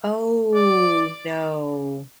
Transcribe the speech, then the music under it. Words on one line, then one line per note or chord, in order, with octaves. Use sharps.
Oh, no.
D5